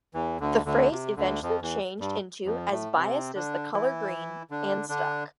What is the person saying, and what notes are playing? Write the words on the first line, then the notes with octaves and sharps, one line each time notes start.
The phrase eventually changed into "as biased as the color green", and stuck.
E2 E3
D2 D3
D2 D3
C3
D2 D3
F2 F3
E2 E3
G2 G3
F2 F3
A2 A3
C3 C4
D3 D4
E3 E4
D3 D4
D3 D4